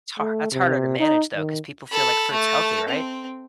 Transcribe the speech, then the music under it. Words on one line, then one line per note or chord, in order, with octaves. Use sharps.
It's har that's harder to manage, though, 'cause people feel like fruit's healthy, right?
A3
C3
D#4
D#3
A4 B5
A3 A4
C4